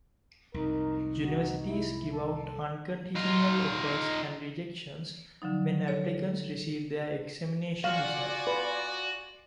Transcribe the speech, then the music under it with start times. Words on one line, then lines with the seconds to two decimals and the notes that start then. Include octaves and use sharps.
Universities give out unconditional offers and rejections when applicants receive their examination results.
0.54 C2 F2 G#2 D#4 A#4
1.23 F#4
1.67 E4
2.13 A4
3.15 D#4 F4
5.42 D3 F3 F#3 D#4
5.88 A4 C#5
7.84 F4 F#4 D5 F5 F#5 G#5
8.47 B4